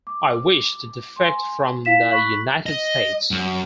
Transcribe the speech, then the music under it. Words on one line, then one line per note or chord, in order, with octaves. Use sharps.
I wish to defect from the United States.
D6
G#5 C6
E4 F5 B6 E7
B5 C#6 F#6 B6 F#7
D#5
F#2